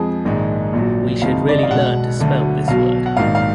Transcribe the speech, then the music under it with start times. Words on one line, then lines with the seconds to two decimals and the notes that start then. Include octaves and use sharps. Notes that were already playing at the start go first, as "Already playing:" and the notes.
We should really learn to spell this word.
Already playing: F2 F3 G#3 G#4
0.25 A#1 G#2 D#3 G#3
0.73 A#1 A#2 F#3
1.21 F#1 F2 D#3 G#3 F5
1.49 D5
1.57 D#5
1.63 F5
1.71 B1 B2 G#3 F#5
2.19 D2 D3 F#3
2.68 B1 B2 F#3 F5
3.06 F#5
3.17 A#1 G#2 D#3 F5
3.35 F5